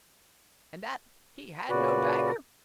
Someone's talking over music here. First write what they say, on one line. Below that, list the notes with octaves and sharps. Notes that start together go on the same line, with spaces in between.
And that he had no dagger?
A#2 C#3 F#4 B4 D5